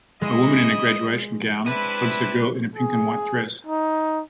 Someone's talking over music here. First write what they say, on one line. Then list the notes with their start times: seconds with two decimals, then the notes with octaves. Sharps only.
A woman in a graduation gown hugs a girl in a pink and white dress.
0.21 G#3 E4 D#5
1.66 C4 D4 E4 B4 D#7
2.76 G#4
3.66 D#4